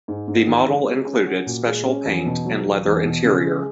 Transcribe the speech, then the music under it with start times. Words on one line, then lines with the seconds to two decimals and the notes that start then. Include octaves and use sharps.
The model included special paint and leather interior.
0.08 G#2
0.28 G#2
0.47 D#3
0.67 G#3
0.87 G#3
1.07 C#4
1.27 F#4
1.46 A#2
1.66 G#3
1.86 C#4
2.06 E2
2.26 B2
2.45 F#3
2.65 E1
2.85 E2
3.05 B2
3.24 C#3
3.45 G#3